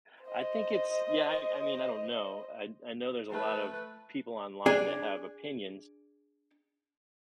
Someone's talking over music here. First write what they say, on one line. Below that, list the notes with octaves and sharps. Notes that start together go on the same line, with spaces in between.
a I think it's Yeah, I I mean, I don't know. I d I know there's a lot of people online that have opinions.
C5 D#5
A3 B4
D4 G#4 G#5